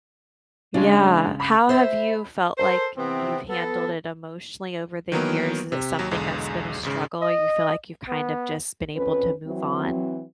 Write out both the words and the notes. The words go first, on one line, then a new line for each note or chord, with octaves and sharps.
Yeah. How have you felt like you've handled it emotionally over the years? Is it something that's been a struggle or you feel like you've kind of just been able to move on?
C#3 G#3 C#4 D4
B5
C5 E5
A4 A#4 C5
C3 E3 B3 C4
B3 A4
D#3 E3 F#3 A#3 B3 A#4
C3
D#2 F#3
B1 E2 D3 G#3
G#1 G#2 C#3
D#5
B3
F2 C#4 B4
E3 F#3 C4